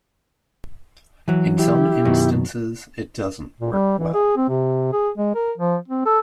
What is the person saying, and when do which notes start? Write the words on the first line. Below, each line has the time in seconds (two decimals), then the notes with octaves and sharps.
In some instances it doesn't work well.
1.28 E3 F#3
1.59 E4 G4
2.05 F#2 B2 D#3
3.60 A#2
3.73 G3
3.98 E3
4.14 G#4
4.37 C4
4.49 C3
4.93 G#4
5.17 G#3
5.35 A#4
5.58 F3
5.88 C4
6.05 A4